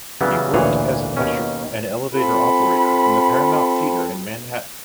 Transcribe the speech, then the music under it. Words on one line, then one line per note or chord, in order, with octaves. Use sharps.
He worked as an usher and elevator operator in the Paramount Theater in Manhattan.
C#3 E3 F#3 G3 B3
A1 D2 A#2 E3 G#4 C#5
D#2 B2 C#4
C4 F4 A4 B5